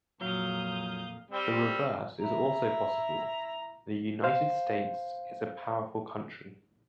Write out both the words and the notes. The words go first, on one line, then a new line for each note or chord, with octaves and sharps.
The reverse is also possible: "the United States is a powerful country".
F2 A#2 F#3 F5 D#6 G6
G3 C4
E4 A#5
C5 F5